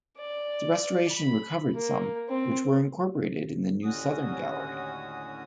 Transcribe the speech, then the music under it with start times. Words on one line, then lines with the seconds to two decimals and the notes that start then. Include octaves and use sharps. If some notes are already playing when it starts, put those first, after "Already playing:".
The restoration recovered some, which were incorporated in the new southern gallery.
0.18 D5
1.09 B5
1.74 A#3
2.29 C4
3.83 D#2 A2 D3 C#4 F#4 D#6